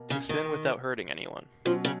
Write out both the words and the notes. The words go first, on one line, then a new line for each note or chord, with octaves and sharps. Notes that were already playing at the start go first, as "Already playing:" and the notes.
To sin without hurting anyone.
Already playing: B2 A#3
C#3
D#3
B2 F3 F#3 C#4
C#3